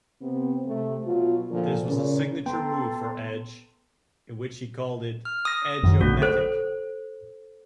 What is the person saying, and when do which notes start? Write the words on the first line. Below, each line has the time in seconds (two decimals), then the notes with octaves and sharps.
This was a signature move for Edge, in which he called it "Edge-O-Matic".
0.22 C3 B3 C4
0.66 C3 A3
1.03 B2 F#3 F4
1.51 A#2 D3 F3 A4
1.86 A#2 C#3
2.46 B3 A4 G5 A#5 C6
5.25 F6
5.45 D#6 A#6
5.83 F#2 D#3 F#3
6.01 A#1 D3 A3 F#4
6.22 A4 C5